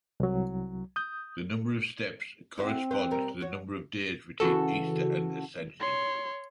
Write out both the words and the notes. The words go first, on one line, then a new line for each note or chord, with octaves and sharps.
The number of steps corresponds to the number of days between Easter and Ascension.
C2 F#3
D#6 G6
C4 E4 F#4 C5
B4 C5 F5
B2 G3 A#4
F#4 C#5
C#3 E3 F#4 A4
C#5 C6